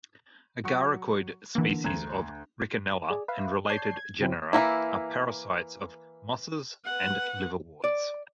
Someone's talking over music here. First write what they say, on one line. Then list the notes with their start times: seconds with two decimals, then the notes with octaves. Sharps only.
Agaricoid species of "Rickenella" and related genera are parasites of mosses and liverworts.
0.64 F#3 F#5 C#6
1.55 D3 E3 A#3 A#4
1.84 D2 A#5 G#6
3.10 G#4 D5
3.28 B4 E5 F5
3.69 C#5 D5 A5 G6 G#6 C7
3.97 G#6
4.20 C#3 F3 F#3 C4 C#4 E4
4.53 E3 F#3 A#3 E4
6.85 B4 F#5
7.84 D5